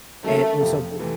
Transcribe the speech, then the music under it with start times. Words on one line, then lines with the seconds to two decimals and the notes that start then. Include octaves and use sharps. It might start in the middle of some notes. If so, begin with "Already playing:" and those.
and it was so,
0.24 D#3 F#3 A3 A#3 C#4
0.61 F2 C3 F3
0.99 C3 E3 A3